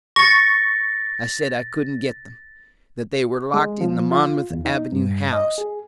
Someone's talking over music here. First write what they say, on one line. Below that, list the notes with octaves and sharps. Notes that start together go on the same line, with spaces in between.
I said I couldn't get them--that they were locked in the Monmouth Avenue house.
C#6 A6 A#6
G#3
F3
F4
E2
D#4
G2
D#5
G#4